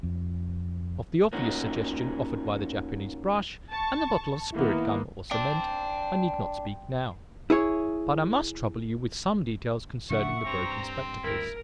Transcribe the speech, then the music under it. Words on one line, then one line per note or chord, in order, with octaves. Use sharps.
Of the obvious suggestion offered by the Japanese brush and the bottle of 'spirit gum' or cement, I need not speak now; but I must trouble you with some details concerning the broken spectacles.
F2
A#3 C#4 D#4 F4 F#4
A5 C#6
D#3 A#3 B3 E4
D4 G5 C6
E4 G#4 C#5
C#3 F3 D4 E5 F#5 C#6
G2 C4 A#5
D2 G2 E4 A#4